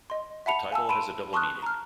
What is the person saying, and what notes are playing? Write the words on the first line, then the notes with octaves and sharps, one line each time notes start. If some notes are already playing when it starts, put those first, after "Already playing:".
The title has a double meaning.
D#5 C6
E5 F#5 A5 B5 C#7 F7
F5 G#5 A5 E6
A5 B5 C6 D7 D#7
A5 C6 C#6 D#6 F6 F#6
A#5 F6